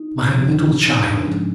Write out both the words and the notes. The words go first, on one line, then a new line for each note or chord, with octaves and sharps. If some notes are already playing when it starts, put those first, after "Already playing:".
"My little child!"
Already playing: D#4
F#2 C#3 F3
D#4
D4
G#2 F3 G#3 C#4